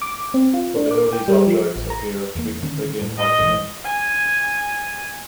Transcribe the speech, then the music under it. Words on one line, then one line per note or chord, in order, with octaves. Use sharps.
But later these objects appear to be completely intact again.
D6
C4
F4
D4
D6
G5
G3
F3
A1
A#5
E2 A#3
D3 D#3 C#4
A2
D#5
A#1 G#2 E3
G#5